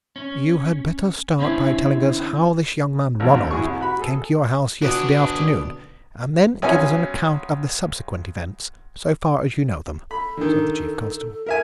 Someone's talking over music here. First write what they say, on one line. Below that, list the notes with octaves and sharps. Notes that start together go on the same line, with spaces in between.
"You had better start by telling us how this young man Ronald came to your house yesterday afternoon, and then give us an account of the subsequent events, so far as you know them," said the chief constable.
C#4
D3 C4 C#4 E4
A1 F2 G#2
D#2
E4 F#4 G#4 C#6
C2
F#4 B5
G#4 A4
B2 D3 D4 F#4 G#4 D#6 D7
B1 C#4 G#5
A4 B5
D3 D#3
A#4 E5 G#5